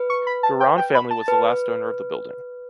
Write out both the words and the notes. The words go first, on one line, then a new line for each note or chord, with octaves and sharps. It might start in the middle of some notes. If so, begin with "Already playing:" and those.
Duran family was the last owner of the building.
Already playing: B4
C#6
B5
A5
G5
G5
B5
A5
B4